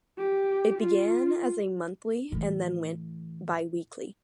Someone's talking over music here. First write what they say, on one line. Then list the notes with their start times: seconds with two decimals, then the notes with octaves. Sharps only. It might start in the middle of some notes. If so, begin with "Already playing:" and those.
It began as a monthly and then went biweekly.
0.17 G4
0.78 F4
2.32 A2 E3